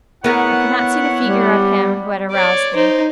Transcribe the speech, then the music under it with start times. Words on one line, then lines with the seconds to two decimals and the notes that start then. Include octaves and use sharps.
I could not see the figure of him who had aroused me.
0.24 B3 E4 A#4 C#5 F#5
1.23 G3
2.31 C#5 D5
2.75 D#4 C5